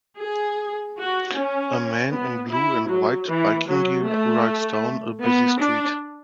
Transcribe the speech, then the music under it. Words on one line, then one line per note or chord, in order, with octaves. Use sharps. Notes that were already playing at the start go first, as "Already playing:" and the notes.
A man in blue and white biking gear rides down a busy street.
G#4
F#4
C#4
B3
E4
F#3
E3
F#3
A3
B3
D4